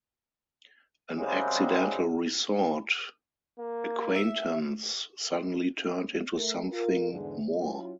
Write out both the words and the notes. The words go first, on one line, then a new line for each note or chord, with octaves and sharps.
An accidental resort acquaintance suddenly turned into something more.
F#2 C#3 G3 G#3 C4
A#3
E5
A3 A#4
F4 A#4
E2 G#2 D3 G#3
F#3 C#4 E4 F4